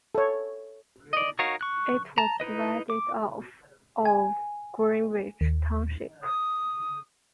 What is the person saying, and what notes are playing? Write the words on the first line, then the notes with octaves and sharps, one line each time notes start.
It was divided off of Greenwich Township.
A4 C#5
D5 D#5
D#4 F#4 A#4 C#5 F5
C#6 F#6
A5 A#5
D#4 E4 B4 D#5
D6
G#5
D#2
D#6